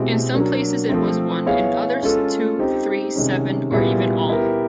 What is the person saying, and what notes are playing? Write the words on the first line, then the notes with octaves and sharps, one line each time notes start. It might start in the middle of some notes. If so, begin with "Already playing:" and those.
In some places it was one; in others, two, three, seven, or even all.
Already playing: B2 G#3 C4 E4 G4
F#3 A#3 D4
F3 A3 C4
B3 E4 G#4 C#5 F5
G#3 C#4 F4 A4
C4 D#4 G4 C5
C3 D#3 G#3 C#4
A#2 G3 B3 E4 G#4
B3 E4 G4 A#4